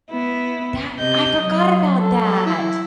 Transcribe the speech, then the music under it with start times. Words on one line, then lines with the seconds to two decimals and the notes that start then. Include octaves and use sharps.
that I forgot about that.
0.10 B3 E4
0.98 C3 D#5 G6
1.39 F#3 D#5
1.99 A4
2.46 E4